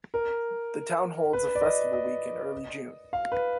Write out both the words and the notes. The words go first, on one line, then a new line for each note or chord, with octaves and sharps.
The town holds a Festival Week in early June.
A#4
B4
D5
D#5
D#5
F5
B4